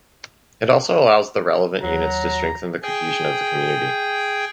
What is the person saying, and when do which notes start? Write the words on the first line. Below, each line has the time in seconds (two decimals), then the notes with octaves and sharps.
It also allows the relevant units to strengthen the cohesion of the community.
1.83 D#2 F#3 A#5
2.83 G#4 G5